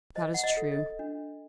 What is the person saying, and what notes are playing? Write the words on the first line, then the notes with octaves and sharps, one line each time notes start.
"That is true."
C5 D#5
F#5
D#5
A4
D#5
D4